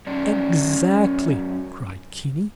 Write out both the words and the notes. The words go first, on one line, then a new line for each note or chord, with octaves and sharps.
"Exactly!" cried Kinney.
F#2 C#4 D5